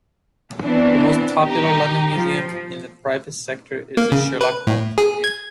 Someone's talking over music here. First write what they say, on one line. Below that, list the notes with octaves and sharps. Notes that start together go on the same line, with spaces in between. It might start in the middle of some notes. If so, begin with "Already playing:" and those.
The most popular London museum in the private sector is The Sherlock Holmes Museum.
E3 B3 C4 D4
D#4 G4
F3
A#3
C#3
B4
A2
G#4
G#6